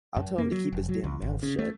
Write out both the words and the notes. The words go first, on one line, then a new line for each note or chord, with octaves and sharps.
I'll tell him to keep his damn mouth shut!
F#2
A#3
F#3
F1
F#3
C#2
G#1
C#3
A3